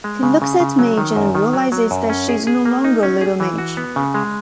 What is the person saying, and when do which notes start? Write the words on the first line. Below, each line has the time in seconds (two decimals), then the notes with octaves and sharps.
He looks at Midge and realises that she is no longer "little Midge".
0.04 G#3
0.23 C#3
0.42 C#3
0.60 C#3
0.79 F#3
0.98 D#3
1.16 F#2
1.35 D#3
1.53 F#3
1.72 F#3
1.91 F#2
2.10 C#4
2.29 G#4
2.47 G#4
2.65 A#3
2.84 D#4
3.03 C#4
3.21 G#4
3.40 E3
3.58 F#4
3.77 B3
3.96 C#3
4.14 G#3